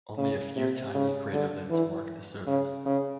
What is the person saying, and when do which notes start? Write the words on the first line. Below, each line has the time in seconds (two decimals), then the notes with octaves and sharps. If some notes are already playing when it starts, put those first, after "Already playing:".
Only a few tiny craterlets mark the surface.
0.18 C#3
0.56 C3
0.95 C#3
1.33 D3
1.70 E3
2.47 C#3
2.86 C#3